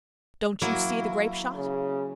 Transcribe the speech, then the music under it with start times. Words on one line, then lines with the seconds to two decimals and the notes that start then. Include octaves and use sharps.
"Don't you see the grape-shot?"
0.62 F#3 A#3 E4
1.56 C#3